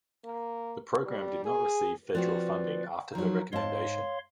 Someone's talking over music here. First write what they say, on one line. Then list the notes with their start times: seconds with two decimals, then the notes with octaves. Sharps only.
The program did not receive federal funding after her recommendation.
0.25 A#3
1.07 G3
1.45 G#4
2.15 F3 C4 F#4 B4 D5
3.15 F3 F#3 D#4
3.53 G#2 C#5 F5 A5 C6